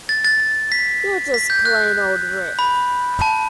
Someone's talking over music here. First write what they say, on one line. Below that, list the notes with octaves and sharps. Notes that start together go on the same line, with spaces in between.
You're just plain old Rick!
A6
A6
B6
B6
G6
F#6
B5
A5